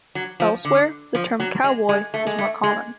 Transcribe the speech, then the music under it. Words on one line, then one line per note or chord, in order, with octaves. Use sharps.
Elsewhere, the term "cowboy" is more common.
F#3
F3
D3
F3
F#3
G#3
G#3
A3
G#3
A3
G#3